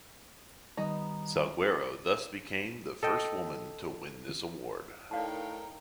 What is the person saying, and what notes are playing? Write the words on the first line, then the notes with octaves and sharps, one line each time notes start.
Salguero thus became the first woman to win this award.
D#3 G3 B3 D#4 A#5
A4 D#5 G5
A2 D#4 A#4 D5 F5 G5 A5